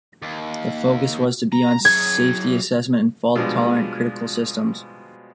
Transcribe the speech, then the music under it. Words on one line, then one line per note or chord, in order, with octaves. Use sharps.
The focus was to be on safety assessment and fault-tolerant critical systems.
D#2
A#5
F#3 G#4 G#6
B2 F3 G3 G#3 D4